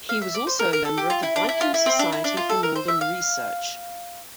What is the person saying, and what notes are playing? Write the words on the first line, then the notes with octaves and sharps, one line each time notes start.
He was also a member of the Viking Society for Northern Research.
F5
E5
D5
C5
A#4
A#4
A4
G4
F4
E4
D4
E4
F4
E4
C4
D4
E4
D4
F4
A4
A#4
C5
E5
F5